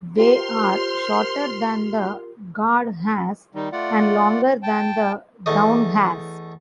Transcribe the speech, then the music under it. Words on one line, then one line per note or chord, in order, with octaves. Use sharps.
They are shorter than the guard hairs and longer than the down hairs.
F4 G4 A#4 C5 C6 F6
D#3 G3 D#4
A3 F4 D5 F#5
G5 A5
E2 A3 D#5